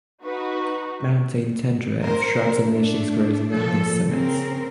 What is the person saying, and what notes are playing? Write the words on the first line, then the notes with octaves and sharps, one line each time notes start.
Mountain tundra of shrubs and lichens grows in the highest summits.
D#4 F#4 B4
A#4 C5
A3 D4
A#2 F3 A4
C#3 C4 A#4